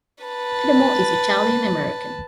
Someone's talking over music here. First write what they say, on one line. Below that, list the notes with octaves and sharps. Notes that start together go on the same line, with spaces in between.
Adamo is Italian American.
B4 A5